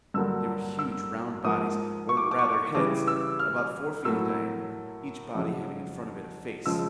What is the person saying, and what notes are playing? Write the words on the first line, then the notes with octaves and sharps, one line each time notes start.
They were huge round bodies--or, rather, heads--about four feet in diameter, each body having in front of it a face.
G2 D3 F#3 A#3 E6
E6
G#2 F3 A#3 D#6
C#6
D6
C#6
D6
C#6
D6
C#6
C#3 E3 G3 D6
E6
F6
A2 F#3 A#3 E6
F2 C#3 F#3
C#3 F3 G#3 E6